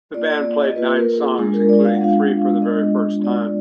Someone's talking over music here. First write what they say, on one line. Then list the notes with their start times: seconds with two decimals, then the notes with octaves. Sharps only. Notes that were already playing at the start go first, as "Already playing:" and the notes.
The band played nine songs, including three for the very first time.
0.14 A#3 F4 D5
0.30 D5
0.45 D5
0.61 D#5
0.76 A#3 F4 B4
0.96 A#4
1.18 G#4
1.38 G#3 B3 D4 F4 G#4
1.54 A#4
1.69 D5
1.85 F5
1.94 F#5
2.01 G#3 B3 D4 F4 F5
2.61 G#3 B3 D4 F4 D#5
3.23 G#3 B3 D4 F4 D5